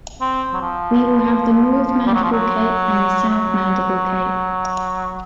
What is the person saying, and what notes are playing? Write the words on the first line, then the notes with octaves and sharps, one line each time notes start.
We will have the North-Mandible cape and the South-Mandible cape.
C4
F#3
F3
G3
F#3
F3
F#3
F#3